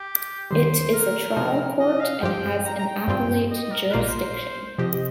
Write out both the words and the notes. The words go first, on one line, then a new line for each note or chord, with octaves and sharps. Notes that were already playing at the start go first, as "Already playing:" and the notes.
It is a trial court and has an appellate jurisdiction.
Already playing: G4
D#2 D#3 G3 C5
A#4
C3 F3 D#4
D#5
F5
G2 F3 C4 G4 G5
A#5
A#5
G5
G2 G3 C4 F4
D#5
A#4
A#1 A#2 A#3 F4 C5
A#4
C5
C3 F3 C4 G4 D#5